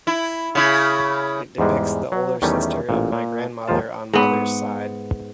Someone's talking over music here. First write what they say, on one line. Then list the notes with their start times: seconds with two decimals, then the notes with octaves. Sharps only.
It depicts the older sister of my grandmother on mother's side.
0.07 E4
0.55 C#3 E4
1.58 E2 G#2 G3 G#3
2.12 F#3
2.42 E2 D#3 G3 A3 C#4
2.89 A1 A#2
3.12 A#2
3.68 D#2 G#2 F3 F4 A5
4.13 G#2 B3